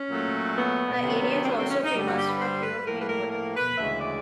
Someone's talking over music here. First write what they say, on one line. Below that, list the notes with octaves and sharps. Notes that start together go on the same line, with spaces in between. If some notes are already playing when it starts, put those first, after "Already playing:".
The area is also famous for pure, clean water.
Already playing: C#4
A#2 F#3 A3
B3
C3 D#3 F#3
C4
B3
C4
C#4
D#4
G2 D3 G3
F#4
G4
B4
C5
B4
A2 F3 A#3 A#4
B4
A#4
A#4
B4
D2 C#3 E3 G#3 E5
D5